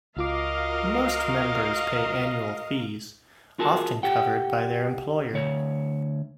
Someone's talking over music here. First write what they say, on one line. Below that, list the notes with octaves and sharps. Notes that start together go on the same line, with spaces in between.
Most members pay annual fees, often covered by their employer.
C#2 F4 F#4 A#4 D#5 F5 D6
F4 F#4 G#4 A#4 A5
G4 F#5 G5
D2 C#5